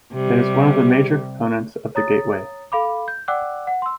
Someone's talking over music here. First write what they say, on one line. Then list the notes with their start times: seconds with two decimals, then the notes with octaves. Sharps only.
It is one of the major components of the Gateway.
0.13 C3 G3
1.95 C#5 A#5 D#6 A6
2.72 A4 F5 B5 D6
3.08 G6
3.28 D5 F#5 G5 D6 E6 F#6
3.67 F#5
3.82 C6 E6